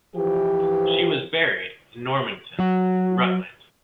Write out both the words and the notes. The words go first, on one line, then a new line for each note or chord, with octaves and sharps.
She was buried in Normanton, Rutland.
E3 F3 G4
F#3 F#4